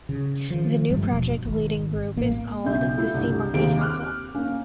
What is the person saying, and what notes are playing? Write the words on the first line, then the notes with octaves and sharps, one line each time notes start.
The new project-leading group is called the "SeaMonkey Council".
C#3
D#3 F3
G2 F3 G3 A3
E1 B2
G#1
A1 A2 A#3
B1 C#3 E5 G6
A3 E4 F4
C2 G2
D#2 C3 A#3 G#4 C5 D7
D6 F6 F#6
A#3 C#4